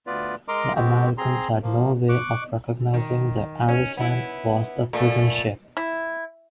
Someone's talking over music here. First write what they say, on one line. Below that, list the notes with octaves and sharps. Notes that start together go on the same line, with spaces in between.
The Americans had no way of recognizing the "Arisan" was a prison ship.
D2 B3 F4 B4 D5
G#3 A#4 D#5 A#5 C6 D6
D#3 G#3 B3 C4 F#4 G4
C4 G#4 A#5 C6
F3 A#3
C#6 D6 F#6
D#3
C#4
B3 E4
A#2 A3
E4